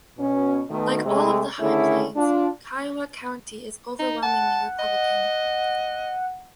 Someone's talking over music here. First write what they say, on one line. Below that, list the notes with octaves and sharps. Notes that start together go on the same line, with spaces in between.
Like all of the High Plains, Kiowa County is overwhelmingly Republican.
B2 C#4
B2 D#3 A3
C3 G#3 A3
D3 D#3 A3 C#4 E4 G#4
D4 F4
D#4
F#5 A5
D#5